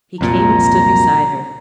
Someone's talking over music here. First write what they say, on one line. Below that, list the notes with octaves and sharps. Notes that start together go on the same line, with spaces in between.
He came and stood beside her.
C2 F2 A#2 A#5